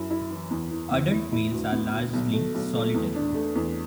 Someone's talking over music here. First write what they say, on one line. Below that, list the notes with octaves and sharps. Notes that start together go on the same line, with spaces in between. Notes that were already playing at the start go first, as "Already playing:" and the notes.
Adult males are largely solitary.
Already playing: F#2 E4
E4
E3
E2
E3
E2
E4
E4
D2
B3
D2
B1
A3
B1
A3
E2
D4
A3
E2